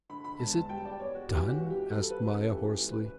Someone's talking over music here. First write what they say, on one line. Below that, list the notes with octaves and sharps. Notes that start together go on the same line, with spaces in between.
"Is it done?" asked Maya hoarsely.
D3 B5
B5
E1 A5
A5
G3 G5
D5
E2 C#5
F#4
E3 G4
F#4
C#2
G4
G3 A4
B4
C#3
A4
E3 G4
C#2
B4